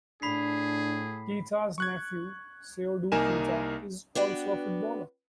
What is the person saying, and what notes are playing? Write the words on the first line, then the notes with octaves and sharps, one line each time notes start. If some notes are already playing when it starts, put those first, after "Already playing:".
Keita's nephew, Seydou Keita, is also a footballer.
A2 D4 G#4 B5 B6 C7
C#6 F#6 G#6
C2 A#3 D#4 A#4 G#5 E7
B3 D4 F#4 G5